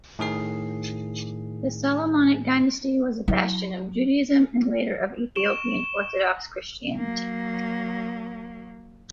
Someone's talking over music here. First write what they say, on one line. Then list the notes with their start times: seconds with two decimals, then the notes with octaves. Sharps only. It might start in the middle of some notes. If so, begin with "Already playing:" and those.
The Solomonic dynasty was a bastion of Judaism and later of Ethiopian Orthodox Christianity.
0.19 A2 D#3 G#4 C7
3.28 F#3 E4
5.36 C#6 D7 E7 G7
6.94 F#3 A#3